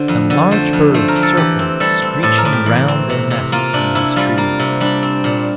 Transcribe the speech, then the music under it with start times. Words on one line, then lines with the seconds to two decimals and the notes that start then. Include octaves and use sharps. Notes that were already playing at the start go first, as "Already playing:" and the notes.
Some large birds circled screeching round their nests in those trees.
Already playing: D3 C5
0.08 F2
0.30 D3
0.51 A3 C5
0.73 F2
0.94 A3 C5
1.08 A#4
1.16 F2
1.23 A4
1.37 E3 G4
1.59 C4
1.80 G3 A4
2.02 C4
2.23 A2 A4
2.38 A#4
2.45 A2
2.53 G4
2.66 E3
2.88 C4
3.10 C3
3.30 C3
3.52 A#3 F4
3.73 C3 D4
3.95 C3 E4
4.16 G3 F4
4.38 A#3
4.59 C3
4.80 G3 D4
5.03 C4
5.24 A#2